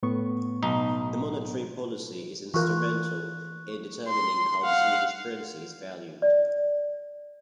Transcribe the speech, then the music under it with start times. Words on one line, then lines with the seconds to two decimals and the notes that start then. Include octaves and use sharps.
The monetary policy is instrumental in determining how the Swedish currency is valued.
0.03 A2 B3 C#6
0.63 B1 D#4
2.54 E3 F4 A#4 C#6 F#6
4.08 C6
4.63 F5 F#5
6.22 D5